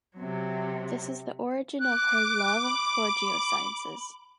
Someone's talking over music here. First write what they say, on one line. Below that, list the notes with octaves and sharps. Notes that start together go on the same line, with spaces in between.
This is the origin of her love for geosciences.
C3 F#3
D6 F#6
B5